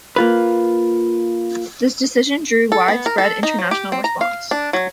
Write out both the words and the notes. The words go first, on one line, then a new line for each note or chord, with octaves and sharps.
This decision drew widespread international response.
A#3 F4 B4
A4
B3
A#4
A4
D#4
F#3
G4
C4
A#5
F5
D4
F#3